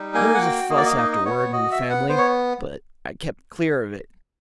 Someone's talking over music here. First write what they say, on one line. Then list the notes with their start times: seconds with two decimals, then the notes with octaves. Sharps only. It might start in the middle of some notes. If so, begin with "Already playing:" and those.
There was a fuss afterward in the family, but I kept clear of it.
Already playing: G3 D#4
0.14 A#3 G#5
0.34 F#5
0.42 F#4 G5
0.69 A#3 D#5
0.77 D5
0.86 D#5
0.97 D#4 D#5
1.11 D#5
1.25 B3 C#5
1.39 C#5
1.52 F#4 D#5
1.72 E5
1.80 B3
1.90 F#5
2.08 B3 C5
2.18 C#5